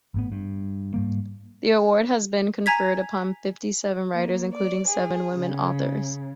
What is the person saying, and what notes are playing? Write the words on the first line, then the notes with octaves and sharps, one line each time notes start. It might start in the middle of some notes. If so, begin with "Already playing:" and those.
The award has been conferred upon fifty-seven writers including seven women authors.
G#1 A2 B3
G2
G#2 G3 A#3
G#5 A#5 G#6 B6
A#3
D5
G#4
C#3